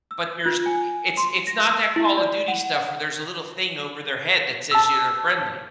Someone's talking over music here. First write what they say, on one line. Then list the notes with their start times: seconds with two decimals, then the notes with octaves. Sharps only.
but there's i it's it's not that Call of Duty stuff where there's a little thing over their head, that says you're friendly.
0.11 E6
0.46 F4
0.66 G#5
1.17 C6
1.47 A#6
1.70 E6
1.96 E4
2.18 D5
2.48 F#5
4.71 A5 E6